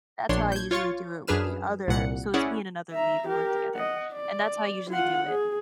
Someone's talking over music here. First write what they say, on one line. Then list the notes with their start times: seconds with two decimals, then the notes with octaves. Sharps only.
that's how I usually do it with the other so it's me and another lead; we work together, and that's how I usually do it.
0.29 A#1 D4 C#5 C6
0.52 G6 G#6
0.71 F4 C#5 C#6 A6
1.27 F#2 D4 G#4 B4 F6 E7
1.88 C2 A#2 F#5 C#7
2.34 C#4 E4 G#4 D5 F#5
2.92 E5 A#5
3.28 G4 A#4
3.74 D#5 F#5
4.13 D5
4.90 F4 F#5
5.28 G#4